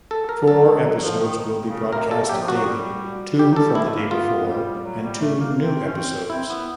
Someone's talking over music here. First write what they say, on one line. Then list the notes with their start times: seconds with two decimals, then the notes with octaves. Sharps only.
Four episodes will be broadcast daily-two from the day before and two new episodes.
0.11 A4
0.29 A#4
0.48 F#3 A4
0.66 G#3
0.84 F#3
1.02 F3
1.20 D#3
1.68 C#3
1.93 C3 A#4
2.05 B2
2.11 A4
2.16 C3
2.29 F#3 G4
2.40 F3
2.48 F#3 F#4
2.66 G3
3.39 G3 G4
3.51 F#3
3.56 G3 A4
3.75 G#3 E4
3.86 A3
3.94 A#3
4.11 B3 F4
4.42 G#3
4.48 G3
4.84 F#3
5.03 G3
5.20 A3
5.39 A#3
5.57 C4
5.87 C#4
5.94 C4
6.30 C4 E4
6.49 B3